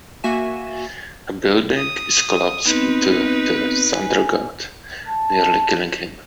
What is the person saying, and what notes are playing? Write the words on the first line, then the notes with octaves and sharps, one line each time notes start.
A building is collapsed onto the Thunder God, nearly killing him.
A#3 F#4 E5 G#5 E7
D#6
B3 C4 D#4 B4
G#5
A5